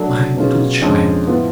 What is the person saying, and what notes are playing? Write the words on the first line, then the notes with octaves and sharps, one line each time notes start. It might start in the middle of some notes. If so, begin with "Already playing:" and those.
"My little child!"
Already playing: F#3 A3 D4
B2 F#3 C#4 F4 G#4
F2 D3 G#3 C#4
A2 F3 B3 F4